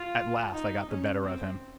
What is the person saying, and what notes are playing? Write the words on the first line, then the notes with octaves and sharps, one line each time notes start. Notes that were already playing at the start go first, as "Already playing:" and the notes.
At last I got the better of him.
Already playing: F4
D#4
C#4
C4